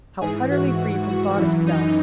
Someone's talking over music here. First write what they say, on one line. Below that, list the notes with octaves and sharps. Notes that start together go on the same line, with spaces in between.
How utterly free from thought of self!
G#2 E3 G#4
F#4
F#4
F#2 E3 E4
D#4